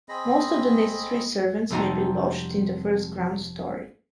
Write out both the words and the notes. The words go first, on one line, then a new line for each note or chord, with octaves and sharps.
Most of the necessary servants may be lodged in the first ground story.
C4 G#4 D#5 B5
F2 C3 G3 D#4 F#4 A#5